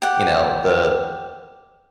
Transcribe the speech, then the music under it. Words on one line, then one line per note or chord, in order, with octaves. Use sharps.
you know, "The
G4 F#5